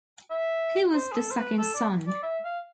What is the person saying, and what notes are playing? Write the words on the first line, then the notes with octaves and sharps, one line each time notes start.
He was the second son.
E5
C5
G#4
A4
C5
B4
A4
D5
D5
E5
F5